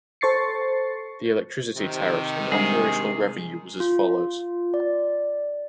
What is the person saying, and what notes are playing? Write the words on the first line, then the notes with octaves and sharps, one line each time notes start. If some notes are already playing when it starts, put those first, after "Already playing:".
The electricity tariffs and operational revenue was as follows.
A4 C5 C#6 A6 C7 C#7
C3 D#3
G3 G#3 D4 G#4
F4
D5